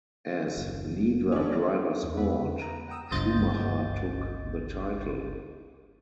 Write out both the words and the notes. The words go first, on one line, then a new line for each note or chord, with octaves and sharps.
As neither driver scored, Schumacher took the title.
F#1 D#2 C#3
C#4 D4
E2
F2 B3 B4 E5 B5
A#5
F#5 G5 A#5 D#6 E6
G1 C#2 C5 D#5 G6 A6